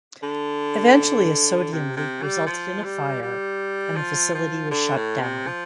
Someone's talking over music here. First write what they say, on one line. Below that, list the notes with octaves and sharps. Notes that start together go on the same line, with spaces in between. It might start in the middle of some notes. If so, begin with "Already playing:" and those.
Eventually a sodium leak resulted in a fire, and the facility was shut down.
D3
C3
C3
G3
F3
G3
G3
F3
F3
D3
A2
C3
F3